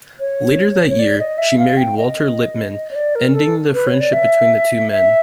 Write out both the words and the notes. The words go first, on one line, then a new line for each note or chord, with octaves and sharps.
Later that year, she married Walter Lippmann, ending the friendship between the two men.
C#5
C#5
D5
D#5
E5
F5
G5
D#5
C#5
D5
A#4
A4
B4
C#5
D5
E5
E5